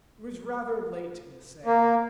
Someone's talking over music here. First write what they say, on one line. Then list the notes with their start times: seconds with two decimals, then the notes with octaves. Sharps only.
It was rather late in the sale.
1.65 A#3